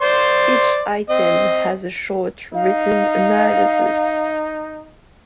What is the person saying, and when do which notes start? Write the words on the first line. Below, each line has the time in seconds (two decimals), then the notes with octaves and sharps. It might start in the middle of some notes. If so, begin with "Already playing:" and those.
Each item has a short written analysis.
0.01 C5 D5 C6
1.10 C4 D#5
2.54 D#4 F5